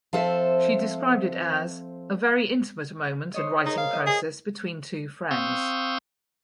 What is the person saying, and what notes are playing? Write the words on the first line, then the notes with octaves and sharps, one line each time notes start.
She described it as "a very intimate moment and writing process between two friends".
F3 C4 A4 C5 E5
C5 C#5 D#5
D#4 G#4 A#4
F5
E4 D#5
G#4
C4 F5 C#6 D#6 E6 G6